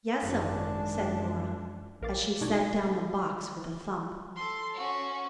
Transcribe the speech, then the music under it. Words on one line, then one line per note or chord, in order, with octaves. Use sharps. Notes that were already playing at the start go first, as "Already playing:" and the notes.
"Yes'm," said Norah, as she set down the box with a thump.
G#1 F#2 D#3 G#3 D4 C#5
A#1 A#4 F5 D6 A6
B2 D4 D#4 F#4 D5 G#6
A4 C6
C#4 F#4